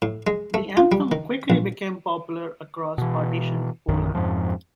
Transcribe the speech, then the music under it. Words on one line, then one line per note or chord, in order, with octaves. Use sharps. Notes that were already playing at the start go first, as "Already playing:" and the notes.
The anthem quickly became popular across partitioned Poland.
A2
G#3
A3
F4
G3
D#3
A#1
B2 E3
A#1 F#2 D#3
F2 G#2 F3